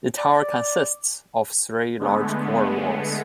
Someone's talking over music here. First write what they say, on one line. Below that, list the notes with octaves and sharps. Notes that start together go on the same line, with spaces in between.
The tower consists of three large core walls.
D5
D3 G#3 A3 B3